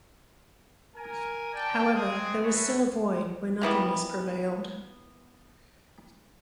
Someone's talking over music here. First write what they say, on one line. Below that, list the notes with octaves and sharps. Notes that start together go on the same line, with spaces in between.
However, there was still a void, where nothingness prevailed.
A#4 G#5
D5 G5 A5
G#3 C4 F#4 G#4
E4 F#4 G#4 A4 B4 C#5
D#3 E3 G3 B3